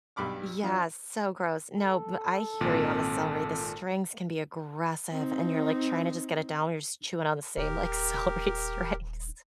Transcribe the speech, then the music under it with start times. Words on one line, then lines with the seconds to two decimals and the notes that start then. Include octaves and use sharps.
Yeah, so gross. No, but I hear you on the celery, the strings can be aggressive, and you're, like, trying to just get it down, you're just chewing on the same, like, celery strings.
0.16 B1 G2 B5 D6 F6
0.63 F3 D4 F4
1.78 A4
2.61 G#1 A#2 C4
5.12 C4 D#4
7.57 D#1 G4 A#4